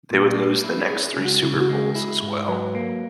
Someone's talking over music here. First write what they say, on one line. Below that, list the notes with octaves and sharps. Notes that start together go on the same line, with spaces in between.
They would lose the next three Super Bowls as well.
A#2
A#3
E4
C#4 G#4
G#4
C#2
F#4
C#3 E4
F#4
G#3
G#4
E4
G#2
F#3 B4
A#3